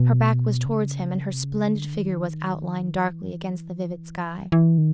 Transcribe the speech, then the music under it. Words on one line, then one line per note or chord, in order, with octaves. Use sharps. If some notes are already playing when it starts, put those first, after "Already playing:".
Her back was towards him, and her splendid figure was outlined darkly against the vivid sky.
Already playing: B2
C#3
C3
C#3
D3
D#3
E3
E3
D#3